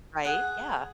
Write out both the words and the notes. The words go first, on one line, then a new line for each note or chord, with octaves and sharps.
Right, yeah.
G#4 F#5